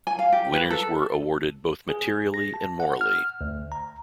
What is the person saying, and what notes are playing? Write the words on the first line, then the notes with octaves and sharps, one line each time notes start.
Winners were awarded both materially and morally.
G#5
F5
G4
B4
A4
G#4
A#6
A5
F#5
F6
D2
A#5